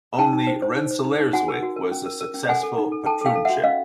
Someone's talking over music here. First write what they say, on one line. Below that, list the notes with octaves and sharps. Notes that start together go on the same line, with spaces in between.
Only Rensselaerswyck was a successful patroonship.
D#4 G5 A5
D#4
C5
C5
D#4
C5
D#4
D#4
F#4 F#5 G#5
A#4
F#4
A#4
C#4
A#4
A#4
C#4
A4 F#5 G#5
A4
D#4
A4
A4 G5 A5
A4 F5 G5
A4
E5 F#5
F#4
C#4 D#5 F5